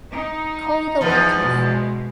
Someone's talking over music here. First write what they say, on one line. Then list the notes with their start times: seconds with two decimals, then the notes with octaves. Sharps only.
Call the waiters!
0.11 D#4
1.01 E2 F3
1.37 B2 G#3